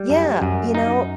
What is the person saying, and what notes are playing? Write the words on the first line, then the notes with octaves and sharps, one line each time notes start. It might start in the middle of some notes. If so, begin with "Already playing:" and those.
Yeah, you know
Already playing: G3
F#2
F#2
D#4